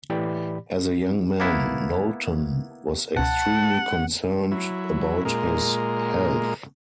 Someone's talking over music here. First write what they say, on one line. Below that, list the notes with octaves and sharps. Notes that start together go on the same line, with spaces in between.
As a young man, Knowlton was extremely concerned about his health.
A2 E3 G4 D5 B5
A#3 B3 E4
C#2 B2 F#5 A5
F#3 E4
A#2 G#3 A#4